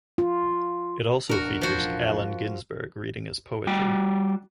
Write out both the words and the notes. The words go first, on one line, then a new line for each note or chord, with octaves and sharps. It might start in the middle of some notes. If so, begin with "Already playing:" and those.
It also features Allen Ginsberg reading his poetry.
F4
E1 A1 D4 F#4 A#4
F3 F#4
G3 F#4 G5